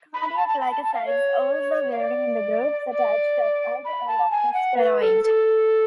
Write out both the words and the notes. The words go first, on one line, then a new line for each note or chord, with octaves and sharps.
Cardiac glycosides also vary in the groups attached at either end of the steroid.
B5
B5
A5
A5
B5
A5
A5
F5
C#5
F5
D5
D5
B5
A5
G#5
F#5
B4
A4
A4